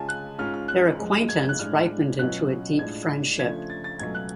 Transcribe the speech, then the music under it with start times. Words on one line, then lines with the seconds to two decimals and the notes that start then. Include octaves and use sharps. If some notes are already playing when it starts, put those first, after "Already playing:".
Their acquaintance ripened into a deep friendship.
Already playing: C#3 G#3 C#4 F4 G#5 A5
0.09 F#6
0.39 G#2 G#3 C#4 F4 F6
0.54 F6
0.68 F#6
0.99 F#2 F3 G#3
1.29 G#6
1.39 G#6
1.49 F#6
1.59 A2 G#3 D4 F6
2.19 B2 F#3 C#4 F4 F#6
2.79 A2 G#3 D4 F4 G#6
3.39 C#3 F3 A3 D4 F4 G#6
3.70 A6
3.84 A6
3.99 C#2 B2 F#3 A3 C#4 G#6
4.15 F#6